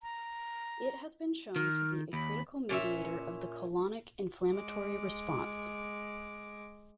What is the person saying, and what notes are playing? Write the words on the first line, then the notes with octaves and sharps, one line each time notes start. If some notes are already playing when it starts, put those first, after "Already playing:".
It has been shown to be a critical mediator of the colonic inflammatory response.
A#5
D#3 F6
D#2 B5
A#2 C#4 D#4 E5
G#3 D6